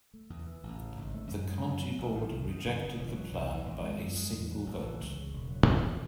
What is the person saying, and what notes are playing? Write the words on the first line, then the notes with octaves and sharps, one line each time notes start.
The county board rejected the plan by a single vote.
A3
E2
E3
A1
C#3
G#1
A3
F#2
G#3
F#2
F#3
A1
D#3
C2
D#3
F#1
C#3
E1
F#3
C2
E3
G#1
G#3
F#2
G#3
E2
F#3
A1
E3
C#2
C#3
E1
F#3
E2
F#3